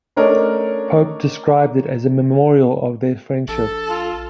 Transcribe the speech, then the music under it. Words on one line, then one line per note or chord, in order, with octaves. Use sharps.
Pope described it as a memorial of their friendship.
A3 C#4 D4 A#4 C#5 D#5
A#1 A4
F4